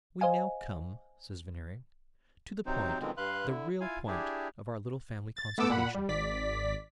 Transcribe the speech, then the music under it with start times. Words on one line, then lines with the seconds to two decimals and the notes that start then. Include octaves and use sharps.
'We now come,' says Veneering, 'to the point, the real point, of our little family consultation.
0.21 C5 D#5 F5 G#5
2.66 C3 F#3 C4 D#4 C5
3.00 B2 D3 D#3 F3 G#3 C4
3.17 G2 B4 F5 C6 F#6
3.47 D3 E4
3.81 E4 F4 F5 G#5
4.07 D4 E4 G4 G#4
5.37 A6
5.58 A3 B3 A4 D6 E6
5.70 A#2 F#5 B5
5.95 G3
6.09 G#1 D5 B6